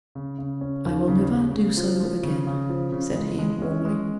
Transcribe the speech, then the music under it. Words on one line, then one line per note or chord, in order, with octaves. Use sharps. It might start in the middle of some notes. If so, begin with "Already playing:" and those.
'I will never do so again,' said he, warmly.
C#3
C#3
C#4
D#2
C#3
C#3
C#3
F3
F3
C#3
C#3
F3
C#3
G#3
G#3
C#4
G#3